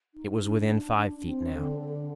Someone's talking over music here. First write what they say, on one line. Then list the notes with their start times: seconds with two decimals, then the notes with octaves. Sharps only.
It was within five feet now.
0.14 D#4
0.41 D4
1.25 C4
1.53 D3
1.80 D3